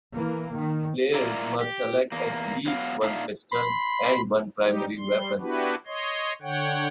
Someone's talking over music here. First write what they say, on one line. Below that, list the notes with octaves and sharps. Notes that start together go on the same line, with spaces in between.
Players must select at least one pistol, and one primary weapon.
E3 A#3
D#3
E4 F4 A#4 D5
G4
E2 A#3
F#3 B3 F5
A#2 D4 D#4 E5 F5
B5 C6
G3 D#4 G4
G3 C6
B3 D4 E4 F#4 G4 B4
C#5 D#5 C6
D3 C#5 F#5 G5